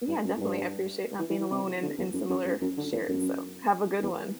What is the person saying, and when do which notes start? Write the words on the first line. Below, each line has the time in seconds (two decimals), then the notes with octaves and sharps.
Yeah, definitely, I appreciate not being alone in in similar shared, so have a good one.
0.09 G2
0.25 F#2
0.37 A2
0.41 G2
1.19 E3
1.30 E3
1.40 E3
1.51 C3
1.82 D3
1.98 E2
2.14 F#2
2.30 F#2
2.45 F#2
2.61 F#2
2.78 D3
2.92 E2
3.09 F#2
4.03 E2